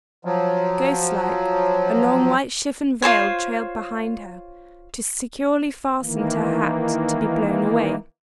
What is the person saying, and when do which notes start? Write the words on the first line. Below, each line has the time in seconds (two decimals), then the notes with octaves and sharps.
Ghost-like, a long white chiffon veil trailed behind her, too securely fastened to her hat to be blown away.
0.25 F3 F#3
3.02 F4 A4 C5 C#5
6.02 D#3 E3 A#3